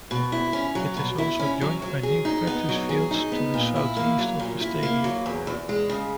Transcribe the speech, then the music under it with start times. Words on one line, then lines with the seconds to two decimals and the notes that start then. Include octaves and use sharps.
It is also joined by new practice fields to the southeast of the stadium.
0.11 B2
0.32 E4
0.53 C#4
0.75 F#3
0.97 B2
1.18 E4
1.39 C#4
1.61 F#3
1.82 F#3
2.03 G#4
2.25 D#4
2.47 B3
2.69 F#3
2.89 G#4
3.11 D#4
3.32 B3
3.54 A#2
3.76 E4
3.97 A#3
4.19 F#3
4.40 A#2
4.61 E4
4.83 A#3
5.04 F#3
5.26 E2
5.47 E2
5.69 G#3
5.89 C#3